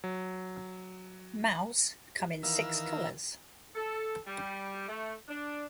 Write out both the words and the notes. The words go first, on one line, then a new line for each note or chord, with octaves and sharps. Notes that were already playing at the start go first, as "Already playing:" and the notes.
Maus come in six colors.
F#3
D#3 E3 A#4 F5 E6
A4
G3
A3
D4